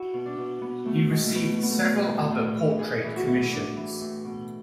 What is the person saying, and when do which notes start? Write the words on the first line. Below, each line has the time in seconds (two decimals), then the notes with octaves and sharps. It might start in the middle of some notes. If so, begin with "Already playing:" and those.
He received several other portrait commissions.
Already playing: E4 F#4
0.14 B2
0.26 D4
0.38 B2
0.61 B2 B3
0.85 B2 A3
1.10 B2 G#3
1.25 A3
1.34 B2 B3
1.59 B2 B3
1.71 A3
1.83 B2
2.07 A2
2.31 A2
2.55 E3
2.79 A2 G#4
3.04 E3 E4
3.16 F#4
3.28 E3
3.42 E4
3.52 E3 D4
3.77 E3
4.01 A2
4.25 B2